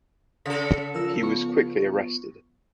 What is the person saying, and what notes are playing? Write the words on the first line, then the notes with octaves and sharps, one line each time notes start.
He was quickly arrested.
C#3 A4 B6
F3 A#4 E6
B3 C#6